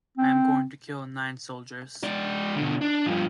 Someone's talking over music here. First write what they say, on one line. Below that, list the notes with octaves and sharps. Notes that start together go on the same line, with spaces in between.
I am going to kill nine Soldiers.
C4
G#3 D5
B2 D3
D4
G2 F3